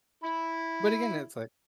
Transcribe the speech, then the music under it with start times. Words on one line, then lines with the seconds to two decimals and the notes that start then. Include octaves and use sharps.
But again, it's like
0.24 E4 B5